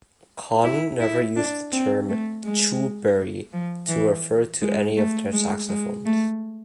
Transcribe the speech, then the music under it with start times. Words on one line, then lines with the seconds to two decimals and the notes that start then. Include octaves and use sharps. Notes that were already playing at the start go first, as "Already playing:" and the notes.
Conn never used the term "Chu Berry" to refer to any of their saxophones.
0.64 E4
1.00 E4
1.36 D4
1.72 C4
2.09 A3
2.45 G#3
3.52 F3
3.88 E3
4.61 G#3
4.97 A3
5.33 G#3
5.69 G#3
6.05 A3